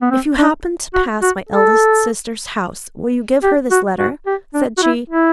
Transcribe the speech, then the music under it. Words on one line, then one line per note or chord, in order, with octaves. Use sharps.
'If you happen to pass my eldest sister's house, will you give her this letter?' said she.
B3
C4
D4
F#4
F#4
A4
G4
F#4
F#4
G4
D4
F#4
E4
E4